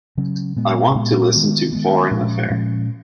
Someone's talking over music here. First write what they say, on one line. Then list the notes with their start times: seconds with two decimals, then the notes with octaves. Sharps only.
I want to listen to Foreign Affair.
0.18 C#3 F#3 C#4
0.56 A#2 G#3 B3
0.95 A#2 G#3 B3
1.33 D#3 G#3 B3
1.72 D#3 G#3 B3
2.11 A#2 F3 G#3 C#4
2.50 A#2 F3 G#3 C#4